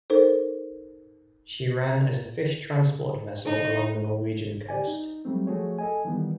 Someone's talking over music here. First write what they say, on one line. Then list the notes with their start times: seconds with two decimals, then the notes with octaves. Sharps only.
She ran as a fish transport vessel along the Norwegian coast.
0.10 D#4 A4 A#4 C5
3.45 D#4
4.69 G4 D5 G#5
4.88 D#4
5.25 F#3 G3 A3 C4
5.47 F3 A3 F#4 G#4 C#5
5.79 A4 D#5 G#5
6.05 D#3 E3 G3 B3